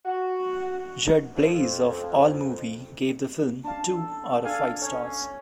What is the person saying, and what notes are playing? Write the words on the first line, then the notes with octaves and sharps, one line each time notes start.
Judd Blaise of Allmovie gave the film two out of five stars.
F#4
F2
D4 F5 A5
A4
D4 A4 F5 G#5
C#4 C#5